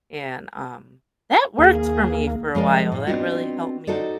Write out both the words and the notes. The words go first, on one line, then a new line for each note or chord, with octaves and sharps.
And, um, that worked for me for a while, that really helped me
D#2 A#3 G#4
F3 G#3 A#4 D5
A2
B3 C4 D4 D#4 F4 F#4
D#4 F#4 A4 C5 D5